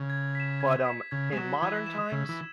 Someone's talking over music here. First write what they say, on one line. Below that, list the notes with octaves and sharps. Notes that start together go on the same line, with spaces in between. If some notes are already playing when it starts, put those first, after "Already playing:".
But, um, in modern times,
Already playing: C#3
G#6
B6 E7
G#6
B6 E7
C#3 G#6
G#3
F#3 E7
E3 G#6
E7
C#3 E6
E3